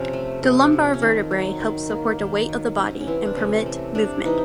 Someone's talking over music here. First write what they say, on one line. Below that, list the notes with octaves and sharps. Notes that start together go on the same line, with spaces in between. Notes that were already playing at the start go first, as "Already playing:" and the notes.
The lumbar vertebrae help support the weight of the body, and permit movement.
Already playing: C3 F3 C#4
A3
C3
F3
C#4
D#3 C4
F#3
D#3
A#3
D#3
F#3
C3 C#4
C#4
E3 C4
D4
C3 C#4
A3
C3 D4
E3 D#4